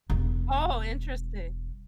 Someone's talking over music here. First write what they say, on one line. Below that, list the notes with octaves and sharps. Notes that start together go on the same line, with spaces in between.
Oh! Interesting.
E1 G3